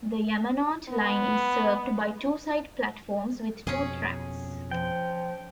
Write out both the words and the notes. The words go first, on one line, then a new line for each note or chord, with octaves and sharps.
The Yamanote Line is served by two side platforms with two tracks.
B3
F2 B2 C#4 G#4
F3 G5